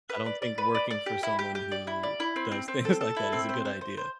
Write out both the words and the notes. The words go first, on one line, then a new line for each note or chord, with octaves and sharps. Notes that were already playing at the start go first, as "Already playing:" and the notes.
I don't think working for someone who does things like that is a good idea.
B4
D5
D5
B4
D5
D5
G4
E4
G4
G4
D5
E4
D5
E4
C4
C4
C4
A4
A4
E4
C4
C5
C5
C5
C5